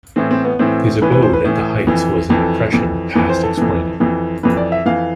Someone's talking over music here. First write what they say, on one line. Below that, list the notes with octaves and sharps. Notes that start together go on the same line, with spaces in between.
His abode at the Heights was an oppression past explaining.
A2 E3 C4
C4
B3
A2 E3 C4
A2 E3 B4
B4
C5
B4
A2 E3
F2 E3
F2 E3 A4
F2 E3
F2 E3 B4
C5
A4
F2 E3
F2 E3
F2 E3 B4
D5
E5
F2 E3 F5